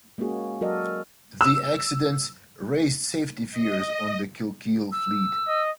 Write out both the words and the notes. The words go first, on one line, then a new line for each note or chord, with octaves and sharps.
The accidents raised safety fears on the Kilkeel fleet.
G#3 A#3 C#4 F#4 G#4
F#3 F#4 A4 A#4 D5 D#5
E6
D#5
E6
D#5